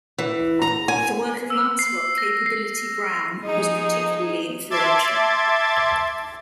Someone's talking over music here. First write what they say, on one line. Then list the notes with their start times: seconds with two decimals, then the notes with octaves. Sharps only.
The work of Lancelot "Capability" Brown was particularly influential.
0.18 E3
0.62 A#5
0.88 G#5
1.50 E6
1.79 C7
2.18 A#6
2.46 C7
3.44 F3 D#4 G#4
4.70 E5 A5 C6 D6 G#6 A6